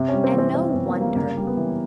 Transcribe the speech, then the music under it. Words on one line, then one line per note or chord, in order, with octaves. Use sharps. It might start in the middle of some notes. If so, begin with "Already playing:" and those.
And no wonder!
Already playing: C3
C#4
G3
C4
E3 C4
C3 C4
B3
C3
A#3
G3
A#3
C#3 A#3
G3
B3
E3